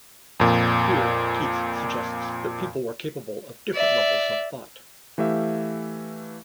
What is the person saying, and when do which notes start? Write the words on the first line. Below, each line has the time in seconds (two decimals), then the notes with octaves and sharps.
Here Keats suggests that people were capable of different levels of thought.
0.40 F2 A#2
3.74 D5 E5
5.18 E3 A3 G4 E5 F5